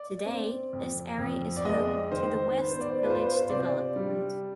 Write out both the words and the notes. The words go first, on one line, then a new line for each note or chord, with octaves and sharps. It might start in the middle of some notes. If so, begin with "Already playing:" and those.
Today this area is home to the West Village development.
Already playing: D5
C4
F2
F2
D5
G#3 D#5
D#3 C5
B3 C5
C5
D5
F4 B4
C5
B4
C5
C5
C3 D5
G3